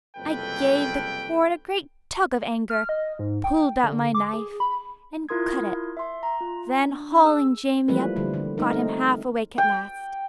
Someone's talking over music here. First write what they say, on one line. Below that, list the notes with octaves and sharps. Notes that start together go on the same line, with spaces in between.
I gave the cord a great tug of anger, pulled out my knife, and cut it; then, hauling Jamie up, got him half-awake at last.
F#1 C2 F2 A4 B4 G5
F6
D#5
G#2
G5
D3
D6
G#4
B5
E4 F4 A#4 C6 D#6 G#6
E5 C6
A#5
F4
D4
G#4 E6
E3 F3 G3 A3 A#3 B4
D3 G3
D3
A3 C4 D#4 A#4
D#4
G5